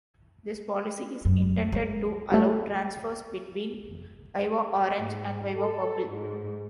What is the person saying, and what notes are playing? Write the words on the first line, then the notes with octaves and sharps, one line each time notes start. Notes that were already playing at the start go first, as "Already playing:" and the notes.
This policy is intended to allow transfers between Viva Orange and Viva Purple.
F#2
G#3
G3 A3
G#2
A4
G#2